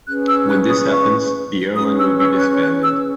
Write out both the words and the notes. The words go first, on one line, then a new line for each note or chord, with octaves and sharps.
When this happens, the airline will be disbanded.
C#4 G#4 B4 F#6
E6
F#6
D#6
C#6
C#4 G#4 B4 D#6
E6
E6
F#6
F#6
E6